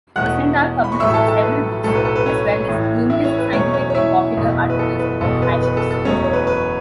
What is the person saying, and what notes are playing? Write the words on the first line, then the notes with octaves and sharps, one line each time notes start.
Rosendahl published several books, as well as numerous scientific and popular articles about airships.
E1 E2 B2 A3 F#5 F#6
B5
C#6
A1 A2 F#3 A3 E5 E6
A4 A5
A4 A5
B4
B1 A2 F#3 A3 A4
B4
A4
B4
C#4 C#5
A1 A2 E3
E4 E5
C#4 C#5
B4
E2 B2 F#3 A3 C#4 C#5
C#4 C#5
C#5
E4 E5
F#1 E2 B2 A3
B4
A4
B4
F#1 E2 B2 A4
B4
B4
A4
A4
E1 E2 B2 F#3 A3 C#4 C#5
C#5
B4
B4